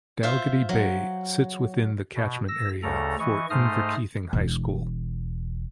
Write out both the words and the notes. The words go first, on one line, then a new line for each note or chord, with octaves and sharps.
Dalgety Bay sits within the catchment area for Inverkeithing High School.
F4 C5 E5
F#3
B2
E6 A#6
D2 C#3 A4 A#5
E3 D#5 C#6
G#2 A3 C5 D#5 D#6 F6
E1